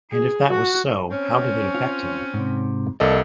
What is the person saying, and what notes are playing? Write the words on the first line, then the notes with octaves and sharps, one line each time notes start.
And if that was so, how did it affect him?
G#4
F#4
C4 C#4
F4
G#2 C3
C2 F3 A#3 A4 D5 D#5